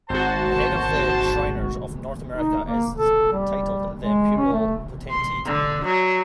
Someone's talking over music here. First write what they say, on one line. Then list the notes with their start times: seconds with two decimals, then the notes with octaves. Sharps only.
The head of the Shriners of North America is titled the Imperial Potentate.
0.10 G#1 F#4 C5 A5
2.36 D#4
2.64 A#3
2.96 A4
3.33 G3
4.00 G#3
4.37 C#4
4.53 A3
5.10 C6
5.46 D3
5.84 F#3